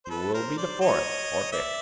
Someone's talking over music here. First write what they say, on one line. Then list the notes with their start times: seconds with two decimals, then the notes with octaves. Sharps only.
You will be the fourth or fifth.
0.05 C5
0.10 A4 B4
0.34 A#4 C5
0.57 C5 D5
0.81 C#5 D#5
1.52 D5 E5